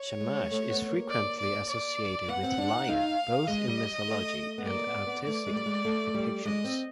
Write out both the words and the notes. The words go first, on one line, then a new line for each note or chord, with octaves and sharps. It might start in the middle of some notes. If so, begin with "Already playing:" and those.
Shamash is frequently associated with the lion, both in mythology and artistic depictions.
Already playing: C#5
G#3
A3
B3
A#3
D5
D5
D5
B3 F#5
C4
D4
D#4
D#4 F5
G#3 D#5
G3
A3
B3
A#3 D5
B3
B3
A3 D5
G#3
G3
G#3
A3
G3
G#3 D#5
C4